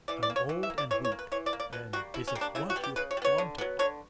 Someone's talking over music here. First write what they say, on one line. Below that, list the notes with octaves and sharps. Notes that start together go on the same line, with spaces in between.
I'm old and weak and this is what you wanted.
E3 D5
D5
A#3
C#5
E3
E5
A#3
D5
E3 C#5
C#5
A#3
B4
E3 C#5
D5
A#3
D5
B2 B4
G3 A#3 F#4
B2 E4
C#4
G3 A#3
D4
C#3 E4
F#4
G3 B3
G4
C#3 B4
C#5
G3
B3 C#5
D3
F#3 B3
D3 C#5